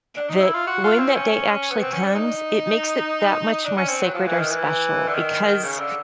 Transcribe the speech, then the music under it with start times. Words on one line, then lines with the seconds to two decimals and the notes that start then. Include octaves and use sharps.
that when that day actually comes, it makes it that much more sacred or special because
0.17 D4
0.29 D#4
0.41 E4
0.54 F4
0.67 F#4
0.84 F4
0.99 C4
1.16 C#4
1.71 B3
1.83 C4
1.93 C#4
2.04 D4
2.15 D#4
3.65 D4
3.77 C#4
3.89 C4
4.02 F#3
4.14 F3
4.26 E3
4.39 D#3
4.51 E3
5.08 D3
5.13 D#3
5.63 C#3
5.79 D3